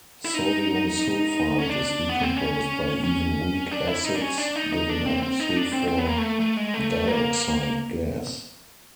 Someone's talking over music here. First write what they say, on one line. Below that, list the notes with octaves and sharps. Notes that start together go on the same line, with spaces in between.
Sodium sulfite is decomposed by even weak acids, giving up sulfur dioxide gas.
E4
D#4
C#4
D4
B3
C4
C#4
C#4
D4
E4
D#4
D4
C#4
D4
D#4
D#4
D4
C4
C4
D#4
D4
C4
C4
B3
A#3
A3
A3
G#3
A3
A3
A#3